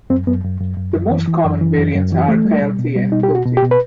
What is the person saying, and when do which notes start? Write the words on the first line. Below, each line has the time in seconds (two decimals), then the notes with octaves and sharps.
The most common variants are Kielty and Quilty.
0.10 F#2 C4
0.27 F#2 B3
0.44 F#2
0.60 F#2
0.77 F#2
0.95 F#2
1.11 E3
1.28 E3
1.44 F#2
1.61 E3
1.78 F#2
1.95 F#2
2.12 E3
2.28 A3
2.45 G3
2.62 B2
2.79 B2
2.95 G3
3.12 B2 D#4
3.23 G4
3.29 B2
3.35 F#4
3.45 B2
3.57 G4
3.62 B2
3.71 B4